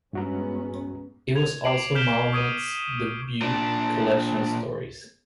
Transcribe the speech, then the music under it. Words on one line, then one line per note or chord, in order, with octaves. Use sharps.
It was also Malamud's debut collection of stories.
G2 G#3 B3 C#4 F#4 A#5
G#6 F7
D6 C7 D7 F#7
F6 G6 B6 D7 E7 G7
C#6 D#6 G#6 D7 D#7
A#2 D4